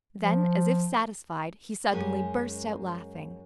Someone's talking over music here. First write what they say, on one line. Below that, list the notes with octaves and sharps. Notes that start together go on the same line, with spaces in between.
Then, as if satisfied, he suddenly burst out laughing.
F3
F#2 G#3 C#4 G#5